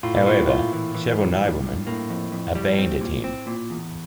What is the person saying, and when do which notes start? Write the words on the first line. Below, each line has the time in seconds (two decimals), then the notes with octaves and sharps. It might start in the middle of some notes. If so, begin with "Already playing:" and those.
However, several noblemen abandoned him.
0.03 A2 F4
0.15 A#2
0.26 A2 F4
0.49 F4
0.73 E3
0.95 E3
1.18 G2
1.41 G2
1.64 G2
1.87 A2 A#3
2.10 F2
2.32 F2
2.55 G3
2.78 C4
3.01 A#2
3.24 C4
3.47 A#2
3.70 E2